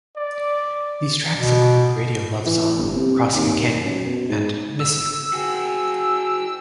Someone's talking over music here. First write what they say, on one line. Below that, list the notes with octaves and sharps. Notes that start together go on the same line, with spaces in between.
These tracks include "Radio Luv Song", "Crossing a Canyon", and "Miss You".
D5
B2
E3
G1
C3
D#2
F#2
B2
G#2
E6
F#4 G#4